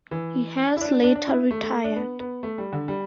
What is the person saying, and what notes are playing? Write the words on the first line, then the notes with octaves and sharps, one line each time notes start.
He has later retired.
E3
E4
D4
D4
D4
E4
A3
A3
D4
B3
B3
A3
G3
D3
G3